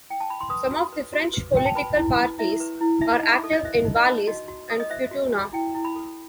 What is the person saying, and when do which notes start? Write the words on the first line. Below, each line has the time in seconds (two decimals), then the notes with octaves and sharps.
Some of the French political parties are active in Wallis and Futuna.
0.10 G5
0.20 A5
0.30 B5
0.41 C6
0.50 B4 D#6
0.71 F#4
0.93 B4
1.13 F#4
1.34 B4
1.54 F#4 G5
1.66 A5
1.75 B4 B5
1.97 E4
2.18 B4
2.39 E4 E5
2.60 B4
2.81 E4
3.01 D#4 E5
3.15 D#5
3.23 D#4 E5
3.44 A4
3.53 D#5
3.65 C5 E5
3.85 D#4
3.96 D#5
4.06 D#4
4.27 F#4 D#5
4.48 F#4
4.70 A4
4.80 D#5
4.90 C5 E5
5.11 F#4
5.32 F#4
5.53 E4 G5
5.74 E4
5.85 B5
5.96 A4